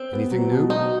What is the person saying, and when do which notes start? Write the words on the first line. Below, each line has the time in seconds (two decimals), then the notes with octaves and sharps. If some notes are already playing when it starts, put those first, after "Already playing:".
"Anything new?"
Already playing: C4
0.13 B3
0.32 F#3
0.51 B2
0.70 B2 D#4